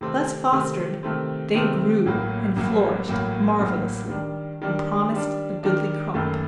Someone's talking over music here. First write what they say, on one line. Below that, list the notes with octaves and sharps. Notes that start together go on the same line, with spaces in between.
Thus fostered they grew and flourished marvellously, and promised a goodly crop.
C3 D#3 A3 C4
C3 D#3 A3 C4
C3 D#3 A3 C4
C3 D#3 A3 C4
A1 A2 F#3 A#3
A1 A2 F#3 A#3
A1 A2 F#3 A#3
A1 A2 F#3 A#3
D#3 G3 D4
D#3 G3 D4
D#3 G3 D4
D#3 G3 D4
F#1 F#2 D#3 A3